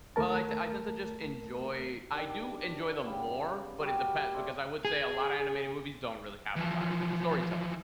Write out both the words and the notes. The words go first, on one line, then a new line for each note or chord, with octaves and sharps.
Well, I te I tend to just enjoy I do enjoy them more, but it depends, because I would say a lotta animated movies don't really have a lotta great storytelling;
D#2 A3 A#4 A5
D#3 D4 G4
C#3 G3 B3
G3 F#4 G4 A#4
A4 C5 D5 E5
G#4
E3 F3